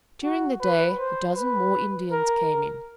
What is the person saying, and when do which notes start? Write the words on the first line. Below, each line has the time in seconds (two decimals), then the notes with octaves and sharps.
During the day, a dozen more Indians came in.
0.24 F#4
0.61 B4
0.98 C5
1.36 B4
2.11 A#4